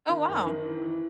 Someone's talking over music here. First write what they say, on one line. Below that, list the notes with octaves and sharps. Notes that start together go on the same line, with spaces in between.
Oh, wow.
D#3
F#1
D#3
E3
E3